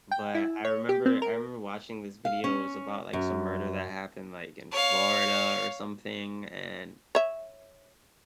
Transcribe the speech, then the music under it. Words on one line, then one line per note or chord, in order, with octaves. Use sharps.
but I remember I remember watching this video, it was about, like, some murder that happened, like, in Florida or something, and,
G5
E4
C#5
G4
C4
A#4
F5
C#4
F#2
C#5 F5
C#5 E5